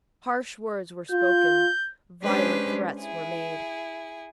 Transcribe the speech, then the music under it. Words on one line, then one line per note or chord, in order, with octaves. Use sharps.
Harsh words were spoken. Violent threats were made.
F4 G6
G#3 C#4 D4 G4 B4 C5
E4 G#4